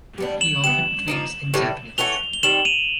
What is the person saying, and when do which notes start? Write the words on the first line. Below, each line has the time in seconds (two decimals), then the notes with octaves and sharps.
He often tweets in Japanese.
0.18 G3 B3 D4
0.41 E7 F#7
0.63 B3 E4 G4 E7 F#7
1.08 F3 A#3 D#4
1.54 A2 E3 G3
1.98 E3 A3 C#4 F#4 F7 G7
2.33 G7
2.43 D#3 G3 C4 E7 F#7
2.65 D#7 F7